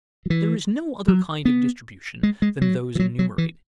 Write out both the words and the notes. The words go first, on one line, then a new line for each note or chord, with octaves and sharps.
There is no other kind of distribution than those enumerated.
F#3
E3
F#3
B3
G#3
G#3
F#3
E3
F#3
F#3
E3